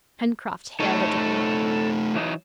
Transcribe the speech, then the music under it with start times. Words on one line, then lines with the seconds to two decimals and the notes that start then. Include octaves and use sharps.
Pencroft hailed again.
0.80 A3 D#4 A4 C#5
2.15 E3 F#3 D#4